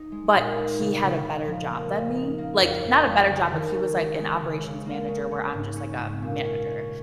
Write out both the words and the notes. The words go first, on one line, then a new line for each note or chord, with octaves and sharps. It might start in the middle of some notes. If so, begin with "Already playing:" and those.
But he had a better job than me, like, not a better job, but he was like an operations manager where I'm just like a manager,
Already playing: D#4
G#3
A#2
D#4
C#3
C#3
C#3
F3
A#3
A#3
D#4
A#3
F2
F2
F2
C#3
D#3
C#4
G#3
G#3
C#3
C#3
A#3
C#3
C#4
G#2
C#4
G#2
A#2
C#4
C#4